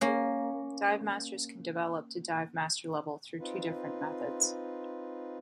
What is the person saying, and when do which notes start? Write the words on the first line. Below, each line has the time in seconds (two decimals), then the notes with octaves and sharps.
Divemasters can develop to Divemaster level through two different methods.
0.01 A#3 C#4
3.40 C4 D#4 F4 B4